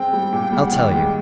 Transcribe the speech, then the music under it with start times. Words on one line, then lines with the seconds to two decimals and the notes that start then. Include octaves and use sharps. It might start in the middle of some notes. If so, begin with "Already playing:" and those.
I'll tell you.
Already playing: G#2 C4 G5
0.13 G3
0.32 A#2
0.52 G3 G5
0.64 F#5
0.72 D#3 G5
0.91 G#2